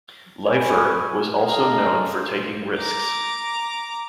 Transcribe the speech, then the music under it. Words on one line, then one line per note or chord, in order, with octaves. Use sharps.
Leifer was also known for taking risks.
B4 C#5 G#5
G#4 A4 D#5 F5 A#5
C5
A#5 D6